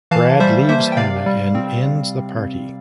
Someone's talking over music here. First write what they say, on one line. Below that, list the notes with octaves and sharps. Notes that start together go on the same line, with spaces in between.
Brad leaves Hannah and ends the party.
E3 F5 A5
G3 C5 E5
A#3 C5 E5
G5
C3 D5 F5
G3
C4